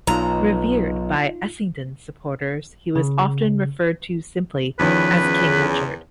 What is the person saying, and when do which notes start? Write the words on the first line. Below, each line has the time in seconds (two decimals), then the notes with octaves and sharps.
Revered by Essendon supporters, he was often referred to simply as "King Richard".
0.07 B1 D#4 F4 A#5
2.96 C#3
4.79 E2 D#3 F3 C#4 B4
5.21 C#3